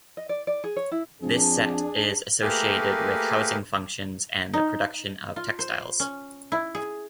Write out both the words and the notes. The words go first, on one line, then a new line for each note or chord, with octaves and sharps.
This set is associated with housing functions and the production of textiles.
D#5
D5
D5
G#4
C#5
E4
F2 D4 G#4
A3 A#3 G4 G#4 A#4 B4
D#4
F4
C5
C#4
E4
G#4